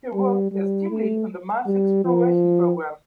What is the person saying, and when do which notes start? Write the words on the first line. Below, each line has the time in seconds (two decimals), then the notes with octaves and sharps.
He worked as team lead on the Mars Exploration Program.
0.14 G3
0.52 G3
0.90 A3
1.66 G3
2.05 F3